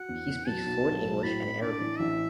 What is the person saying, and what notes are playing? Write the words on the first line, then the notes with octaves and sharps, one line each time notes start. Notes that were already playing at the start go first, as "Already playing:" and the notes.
He speaks fluent English and Arabic.
Already playing: F#4 F#5
E2
E2
F#3 A5
B1
B1
F#3
A2 B5
A2
D4 D5
E3
A1 E5